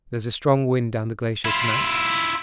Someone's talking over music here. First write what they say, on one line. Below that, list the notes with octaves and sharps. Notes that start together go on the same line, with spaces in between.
There is a strong wind down the glacier to-night.
E4 F4